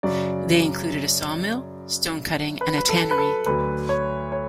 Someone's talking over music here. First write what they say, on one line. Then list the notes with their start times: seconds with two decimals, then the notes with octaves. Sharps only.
They included a saw mill, stone-cutting and a tannery.
0.03 F#2 C#3 F#3 D5
2.61 B4
2.78 B4
2.89 A4
3.11 B4
3.18 A4
3.46 D2 D3 F#3 B4
3.89 C#5
4.32 C#5